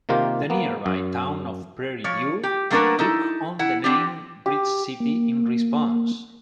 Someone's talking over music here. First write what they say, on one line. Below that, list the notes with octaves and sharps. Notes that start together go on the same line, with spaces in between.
The nearby town of Prairie View took on the name "Bridge City" in response.
C3 D#3 A#3 F4 G4
A#3 B3
F#2
F3 C#5
G4
F#3 A3 A#3 D4 A#4 B4
D#4 E4 A4
E4 F#5
C4 D4 G4
G4
A#3